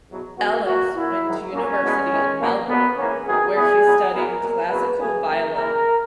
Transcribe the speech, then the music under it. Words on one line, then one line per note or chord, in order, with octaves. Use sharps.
Ellis went to university in Melbourne, where he studied classical violin.
E2 B2 F#3
F#2 C#3 F#3 B3 F#4
A#2 A#3 F#4
A#2 A#3 E4
G#2 D#3 F#3
A#2 F#3 A#3 C#4
E2 B2 G#3 B3
E2 D#3 G#3
B2 A#3
B2 A#3 B3
G#2 E3 A#3 C#4
F#2 D#3 F#3 B3 G#4
C#3 E3 B3 G#4
E2 B2 F#3 B3
C#3 E3 B3 A#4
B2 F#3 A#3 A#4
E2 C#3 F#3 A#3 B4
E2 C#3 F#3 B3 G#4
F#2 C#3 F#3 A#3 A#4
C#3 E3 A#3 A#4